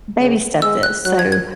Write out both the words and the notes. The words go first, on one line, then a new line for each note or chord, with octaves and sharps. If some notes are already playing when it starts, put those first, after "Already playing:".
baby-step this." So,
C#3
G#3 E6
F#6
F#3 F#6
G#6
G#6